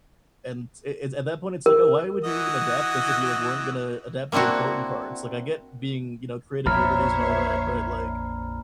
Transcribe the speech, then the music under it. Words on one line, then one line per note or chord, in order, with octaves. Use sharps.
And it it at that point, it's, like, "Oh, why would you even adapt this if you, like, weren't gonna adapt the important parts?" Like, I get being, you know, creative liberties, and all that, but like
A#4
E3 F#4 D#5
A#3 C4 D4 E4 F#4
A#1 F2 C5 C#5 E5 A#5 B5 F6